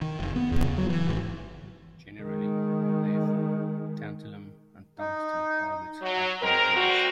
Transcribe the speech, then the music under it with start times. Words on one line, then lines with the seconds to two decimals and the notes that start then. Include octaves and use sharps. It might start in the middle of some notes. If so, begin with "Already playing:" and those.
Generally, therefore, tantalum or tungsten targets have been used.
0.02 D#3
0.19 F1
0.36 B3
0.51 E2
0.64 C#3
0.78 F#3
0.90 E3
1.08 G#1
2.21 D#3 G#3
4.99 D#4
6.02 F#3
6.42 D#3 G#3 C4 A#4
6.76 G3 A3 C4 F#4